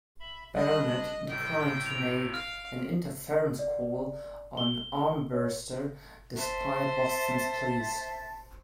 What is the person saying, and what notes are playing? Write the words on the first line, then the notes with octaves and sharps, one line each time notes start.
Barnett declined to make an interference call on Armbrister, despite Boston's pleas.
E5 B5
G3 D4 D#5 B5
A2 C3 G5
D7 F7
F5 F6
D5
G7
C#5
C5 E5 A5